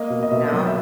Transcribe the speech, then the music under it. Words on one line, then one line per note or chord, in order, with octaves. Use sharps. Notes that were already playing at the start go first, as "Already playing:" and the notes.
you know?
Already playing: A#3 D#5
B2
D#5
B2 E5
F#3
E5